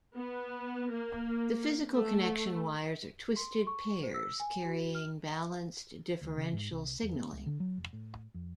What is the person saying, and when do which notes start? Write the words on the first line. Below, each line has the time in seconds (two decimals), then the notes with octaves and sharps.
The physical connection wires are twisted pairs carrying balanced differential signaling.
0.16 B3
0.91 A#3
1.94 A3
3.36 C6
3.67 C#6
4.03 C5
4.14 E6
4.40 G#5
4.65 F#4
4.95 F6
6.21 D2
6.37 C#3
6.53 G#2
6.71 C2
7.02 E2
7.16 B3
7.33 C#2
7.46 D3
7.60 F#3
7.78 F1
7.93 A2
8.34 F2